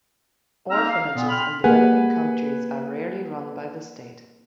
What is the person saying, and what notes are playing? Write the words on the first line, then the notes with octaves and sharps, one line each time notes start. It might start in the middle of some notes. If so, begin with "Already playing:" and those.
Orphanages in developing countries are rarely run by the state.
A#3 C4 D#4 A#5 E6 F6
F5
A#2 B3
G5 B5 C6 F6
A#3 G4 G#4 B4 F#5 G#5